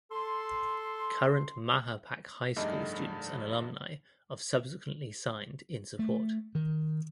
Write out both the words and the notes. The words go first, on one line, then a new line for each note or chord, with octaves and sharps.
Current Mahopac High School students and alumni of subsequently signed in support.
A4 C6
F1 G2 A3 D#4 G#4 D6
A3
D#3